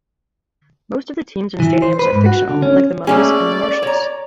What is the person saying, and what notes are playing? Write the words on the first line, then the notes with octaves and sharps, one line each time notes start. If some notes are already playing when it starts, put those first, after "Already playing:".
Most of the teams and stadiums are fictional like the Mummies and the Marshalls.
E3
C5
B4
G#2
F#4
D3
C#4
A3 A#3 C#4 G#4 D5
C#5 A#5